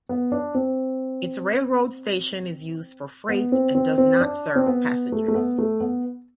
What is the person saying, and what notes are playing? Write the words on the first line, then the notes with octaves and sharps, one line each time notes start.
Its railroad station is used for freight and does not serve passengers.
B3
D4
C4
B3
C4
C4
C4
D4
C4
B3
A3
A3
B3
A3
B3